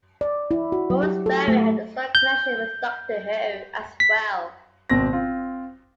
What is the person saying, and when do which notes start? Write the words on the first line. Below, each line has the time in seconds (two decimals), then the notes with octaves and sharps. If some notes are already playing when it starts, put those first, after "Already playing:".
Morris Barry had a strong connection with "Doctor Who" as well.
0.21 D5
0.51 E4
0.72 F#4
0.90 F#3
1.03 G4
1.26 A4
1.48 A3
2.15 G6
4.00 B6
4.90 G#1 B2 C4 A#6
5.13 C4 F4